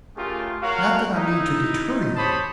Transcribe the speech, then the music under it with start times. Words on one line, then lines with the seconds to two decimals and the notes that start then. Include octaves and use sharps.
Not that I mean to deter you.
0.16 A3 C#4 F4 G4 G#4 A#4
0.62 F#4 A#4 C#5 F5
1.12 D#4 E4
2.15 G4 C5 C#5 A5 B5 D#6